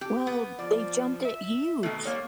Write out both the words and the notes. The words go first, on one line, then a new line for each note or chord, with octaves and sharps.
Well, they jumped it huge.
G4
B3
F3 D5
E5
B2 D#3 A3
G3 A#3 C#5